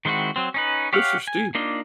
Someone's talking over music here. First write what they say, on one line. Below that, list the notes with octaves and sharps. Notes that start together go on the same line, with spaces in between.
cliffs are steep.
D#3 G#3 C4 E4 F#4
F#3 C4
C#4 D#4 B4
G4 C#5 F5 F#5
G#5
A#3 D4 D#4 F4